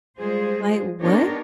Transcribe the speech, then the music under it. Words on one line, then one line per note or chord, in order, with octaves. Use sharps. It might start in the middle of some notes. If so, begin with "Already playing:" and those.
like, what?"
G3 G#3 F4 G#4 C5
B3 D4 D#4 G4 A#4 C#5